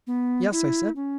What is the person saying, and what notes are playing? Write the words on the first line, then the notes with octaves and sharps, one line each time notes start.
"Yes," I said.
B3
E4
C#4